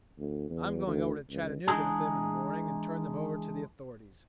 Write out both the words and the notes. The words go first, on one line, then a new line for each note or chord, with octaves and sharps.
I'm going over to Chattanooga with them in the morning and turn them over to the authorities.
D2
E2
D2
C#2
E3 G#3 D4 D#4 G#4